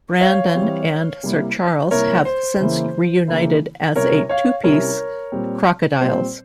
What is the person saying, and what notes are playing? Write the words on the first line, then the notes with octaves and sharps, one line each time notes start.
Brandon and Sir Charles have since reunited as a two-piece; Crocodiles.
C#5 F5
E3 G3 C4
C3 G3 A#3 E4
C3 G3 A#3 E4 A#4 C#5
C5
C#3 E3 A#3 E4
C#3 E3 A#3 E4
C3 G3 C#4 E4 A#4 C#5
C#5 F5
C3 G3 C#4 E4 A#4 C#5
A#2 G3 C4
A#2 G3 C4 C5